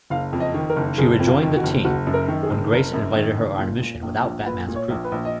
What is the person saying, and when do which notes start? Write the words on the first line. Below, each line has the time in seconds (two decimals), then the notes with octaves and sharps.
She rejoined the team, when Grace invited her on a mission, without Batman's approval.
0.10 F#1 F5
0.33 F2
0.40 D#5
0.54 D#3
0.70 A#4
0.76 F#1
0.98 F#1 G#4
1.20 F2
1.27 F4
1.42 D#3
1.56 F#4
1.63 F#1
1.84 F#1 F#4
2.07 F#2
2.14 A#4
2.28 D#3
2.43 G#4
2.50 F#1
2.72 F#1 A#4
2.94 F#2
3.16 D#3
3.38 F#1
3.59 A#2
3.81 A#2
4.02 A#1
4.24 A#1
4.46 A#2 B4
4.68 A#2
4.76 C#5
4.90 A#1
5.04 B4
5.12 A#1
5.25 D#5